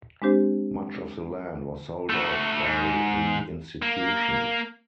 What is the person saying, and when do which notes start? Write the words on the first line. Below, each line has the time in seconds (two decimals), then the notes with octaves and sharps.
Much of the land was sold off by the institution.
0.22 G#3 C4 D4 G4 C5
2.10 A3 F#4
2.65 G#2
3.82 A#3